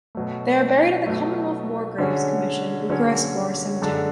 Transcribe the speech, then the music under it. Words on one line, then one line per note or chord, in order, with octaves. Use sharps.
They are buried at the Commonwealth War Graves Commission Bucharest War Cemetery.
B2 F#3 A3
B2 F#3 A3
D3 F#3 C#4 G#4 C#5
D3 F#3 C#4 G#4 C#5
F#2 D3 G#3 D4 A4